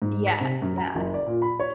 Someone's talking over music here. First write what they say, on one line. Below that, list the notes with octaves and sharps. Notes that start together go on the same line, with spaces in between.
Yeah, yeah.
G#2
B6
C3
F#2
A#5
F#1
D5
A#2
B5
C#5